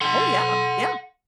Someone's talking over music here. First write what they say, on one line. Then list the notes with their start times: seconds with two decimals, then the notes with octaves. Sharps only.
Oh, yeah, yeah.
0.01 F#5 C6